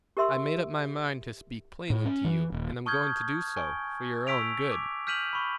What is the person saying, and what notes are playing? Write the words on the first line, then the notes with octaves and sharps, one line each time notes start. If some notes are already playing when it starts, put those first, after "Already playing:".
I made up my mind to speak plainly to you, and I'm going to do so--for your own good.
G4 A#4 E5 C6 E6
A2
C#4
E3
D#1
A5 C#6 D#6 F6 G6 G#6
G#5 C#6
C#6 E6 B6 D7 F7
D6
F6 G6 B6 D#7 F7 F#7
B5 C#6